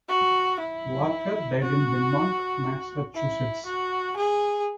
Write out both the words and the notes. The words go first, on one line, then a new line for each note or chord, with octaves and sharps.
Walker died in Belmont, Massachusetts.
F#4
E4
F#4
E4
F#4
G#4